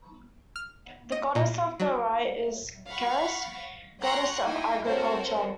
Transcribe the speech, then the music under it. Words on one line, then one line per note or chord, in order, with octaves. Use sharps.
The goddess on the right is Ceres, goddess of agriculture.
F6
D#5
A#2
F#3
F5 F#5 B5 C#6
F#5 G5 A#5 C6 C#6 F#6
D#4 E4 G5 G#5
C4 F#4 A4 A#4 C5 C#5